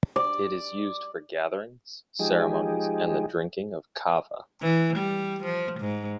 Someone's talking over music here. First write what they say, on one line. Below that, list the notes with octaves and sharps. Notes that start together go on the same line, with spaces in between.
It is used for gatherings, ceremonies and the drinking of kava.
D5
F3 G#3 D#4 G4 G#4
E3
G3
F3
G#2